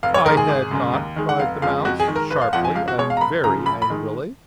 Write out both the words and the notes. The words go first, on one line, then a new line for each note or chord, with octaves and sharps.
'I had NOT!' cried the Mouse, sharply and very angrily.
F1 F5
C#5
D#2 D#3 G#3 A#4
G#4
G#1
F#2 C#3 G#3
D#2
D#3 G#3
F#5
F1 F5
F2 C#3 F3 G#3 F5
F2 F#4
G#4
D#3 G#3
A#4
F#1 B4
F5
F2 F3 F#5
G#5
C#2 F5
F#4
B2 G#3 C#5
F5
A#5
F#1 B5
F#2 C#3 F3 A#5
A#1 B5
B5
D#3 G#3